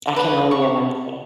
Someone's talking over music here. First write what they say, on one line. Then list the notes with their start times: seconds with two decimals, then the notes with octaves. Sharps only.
I can only imagine.
0.16 B4
0.51 C#6